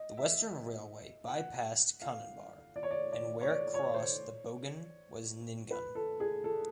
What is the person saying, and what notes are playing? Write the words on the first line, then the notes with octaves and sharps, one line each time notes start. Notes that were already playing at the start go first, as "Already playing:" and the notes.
The Western Railway by-passed Canonbar, and where it crossed the Bogan was Nyngan.
Already playing: D#5
E5
F#5
F5
D5
C#5
D5
D5
C#5
D5
C#5
C5
C#5
B4
A4
G#4
A4